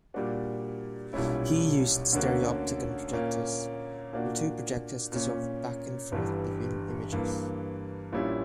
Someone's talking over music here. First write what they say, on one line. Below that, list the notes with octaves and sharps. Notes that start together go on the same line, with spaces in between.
He used stereopticon projectors, where two projectors dissolved back and forth between images.
A#2 G3 A#3 D4 F#4
B1 A#2 G3 C#4 E4
D2 D3 A#3 C#4 F#4
A#2 A#3 C#4
A#2 A#3 D4 F#4
A#2 A#3 C#4
G1 G2 E3 G3
G2 E3 A#3
A#1 A#2 G3 C#4 E4